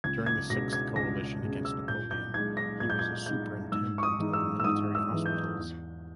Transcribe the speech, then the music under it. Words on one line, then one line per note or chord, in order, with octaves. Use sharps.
During the Sixth Coalition against Napoleon, he was a superintendent of military hospitals.
C#2 G#6
G#6
B2 G#3 C#4 A#6
G#6
C#2 A#6
B2 G#3 C#4
E6
A#2 G6
G6
G#3 D#4 G#6
A#6
A#2 G#6
G6
G#6
G#3 D#4 G6
G#2 E6
C#6
D#6
E3 G#3 D#4
E6
E6
G#2 D#6
E6
E3 G#3 D#4
G6
E2